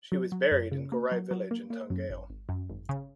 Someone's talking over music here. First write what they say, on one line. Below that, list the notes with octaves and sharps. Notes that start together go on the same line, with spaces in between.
She was buried in Gorai village in Tangail.
F#3
F#3
F#2
C#3
A#3
F#3
F#3
A#3
A#3
F#2
G#1
G#1
F#2
G#1
C#3